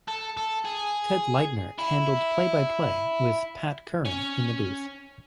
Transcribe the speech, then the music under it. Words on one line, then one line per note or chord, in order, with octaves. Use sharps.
Ted Leitner handled play-by-play with Pat Curran in the booth.
A4
A4
G#4
E4
C#4